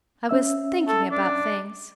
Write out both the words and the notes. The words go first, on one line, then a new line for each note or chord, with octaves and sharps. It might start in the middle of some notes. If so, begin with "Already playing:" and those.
I was thinking about things.
C#4 E5 E6
A4
D4